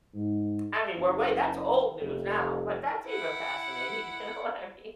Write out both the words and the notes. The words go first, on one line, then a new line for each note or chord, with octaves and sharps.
I mean, we're way that's old news now, but that's even fascinating, you know what I mean.
G#2
F#1
F1
E4 F#5